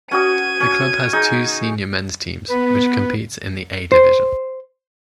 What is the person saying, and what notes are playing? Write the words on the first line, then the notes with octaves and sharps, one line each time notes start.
The club has two senior men's teams which competes in the A division.
C#4 F#4 D#6 G#6 D#7
C#4
D#4 G#4
B3 B4
C5